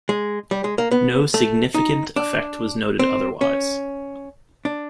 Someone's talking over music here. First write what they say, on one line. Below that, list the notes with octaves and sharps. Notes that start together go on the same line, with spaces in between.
No significant effect was noted otherwise.
G#3
G3
G#3
A#3
B3
A3
D#4
D4
C4
C#4
D4